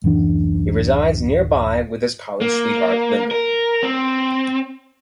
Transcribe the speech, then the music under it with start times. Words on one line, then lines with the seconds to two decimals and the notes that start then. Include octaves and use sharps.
He resides nearby with his college sweetheart, Linda.
0.04 D1 F#2 E3 D4
2.41 A#3
3.31 A#4
3.83 C4